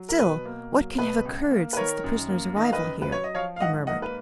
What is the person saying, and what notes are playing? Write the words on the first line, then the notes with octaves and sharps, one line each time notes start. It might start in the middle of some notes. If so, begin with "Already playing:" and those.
"Still, what can have occurred since the prisoner's arrival here?" he murmured.
Already playing: F#3
A#4
B2 B4
A#3
F#3
B2 B4
C#2
A#3
B4
D#3 A#4 C#5
F#2
A#3
D#3 D#5
F5
B4 D#5
F#2
B4
F#3 C#5
D#5
F3 C#5 F5
F5
G#2 D#5 F#5
A#3 D#5 F#5
B4